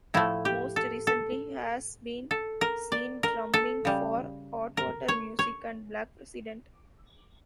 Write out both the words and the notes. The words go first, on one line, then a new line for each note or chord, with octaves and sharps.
Most recently, he has been seen drumming for Hot Water Music and Black President.
A2 F3 A3 E4
G4
A4
A4
A4
A#4
D5
A#4
A4
C#3 G3
A#4
C#5
C#5